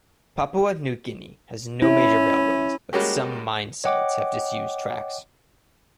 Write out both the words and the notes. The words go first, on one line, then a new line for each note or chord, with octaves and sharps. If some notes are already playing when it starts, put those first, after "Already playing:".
Papua New Guinea has no major railways, but some mine sites have disused tracks.
C#4 E4
G3 G#3 A#3 C#4 F#4 G4
C#5 D#5 F#5 G5 D6